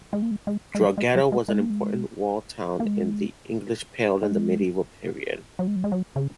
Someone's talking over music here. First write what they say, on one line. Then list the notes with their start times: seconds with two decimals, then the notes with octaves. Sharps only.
Drogheda was an important walled town in the English Pale in the medieval period.
0.13 G#3
0.22 A#3
0.31 G#3
0.47 G#3
0.75 G#3
0.80 F#3
0.98 G#3
1.15 F#3
1.32 G#3
1.48 G#3
1.60 A#3
1.70 G#3
2.80 A#3
2.85 G#3
4.23 G#3
5.59 F#3
5.68 G#3
5.76 F#3
5.84 G#3
5.92 F#3
6.16 C#3